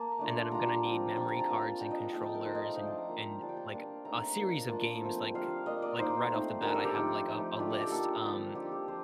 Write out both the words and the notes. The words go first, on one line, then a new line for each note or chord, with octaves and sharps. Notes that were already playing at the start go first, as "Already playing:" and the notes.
and then I'm gonna need memory cards and controllers and and, like, a series of games, like like, right off the bat, I have, like, a a list, um,
Already playing: A#3 A5
A3 D4 F4
G3 D4 F4 A#5
F3 C4 F4
G3 D4 F4 A5
A#5
A5
A#3 F4
A#3 D4 F4 G5
D#5
F3 A3 D#4 G5
A5
A#4
A3 D#4 C5
D#5
F5
F3 A3 D4 F4 G5
A5
A#5
A#3 F4
G3 D4 F4 A5
G5
A5
A#3 D4 F4
A3 C4 D#4 A#5
A#3 D4 F4
A#3 D4 F4 A5
F3 A3 C4
G3 A#3 D4 F4 F5
A#3 D4 F4 D#5
D5
A#3 D#4 C5
A3 C4 D#4
G3 D4 F4 A#4
A4
G4
F3 A3 D#4
F3 A3 D#4
A3 D4 F4 G4
A4
G4
A#3 D4 F4 A4
F3 C4 D#4
G3 D4 F4 G4
G4
F3 C5